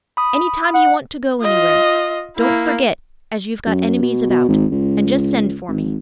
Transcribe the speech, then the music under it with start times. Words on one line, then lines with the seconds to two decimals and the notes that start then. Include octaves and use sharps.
Any time you want to go anywhere, don't forget as you've got enemies about, and just send for me.
0.17 B5 D#6
0.74 F#5
1.43 F4 D#5
2.37 A#3 E4
3.66 F#2
4.03 B2
4.30 B2
4.49 G#1
4.72 C#2
5.68 G#1